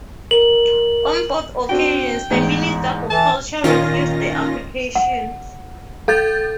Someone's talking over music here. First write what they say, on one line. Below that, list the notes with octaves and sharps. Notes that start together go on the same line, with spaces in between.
On both occasions the Minister for Culture refused the application.
A#4 F#7
C4 D4 F#4 G5
A1 E2 G#2
E3 A5
A#2 D#3 C#4 F4 A#6
F#5
A4 F5 G6 A6